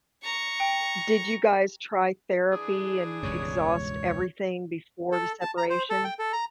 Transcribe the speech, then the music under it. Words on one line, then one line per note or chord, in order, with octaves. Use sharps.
Did you guys try therapy and exhaust everything before the separation?
A#5 C#6
G5
E3 D4 G#4
E1 C#2 G2 C#5
A4
A5
A#5
C5
A4
G5
A4
A#5